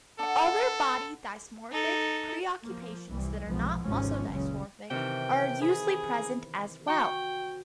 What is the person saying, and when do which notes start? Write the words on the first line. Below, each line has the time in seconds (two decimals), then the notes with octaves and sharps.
Other body-dysmorphic preoccupations that are not muscle-dysmorphic are usually present as well.
0.19 D4 A4 F#5
1.72 D#4 A4
2.63 F3 A#3
3.08 C2 E3 G3
3.47 F1 B1 B2 F3 G#3 B3
3.81 G#1 C#2 C3 F3 C#4
4.29 F#1 C#2 A#2 C#3 C#4
4.90 C3 D#3 E3 G5
5.62 G#4 B5
6.88 F#4 G5 C#6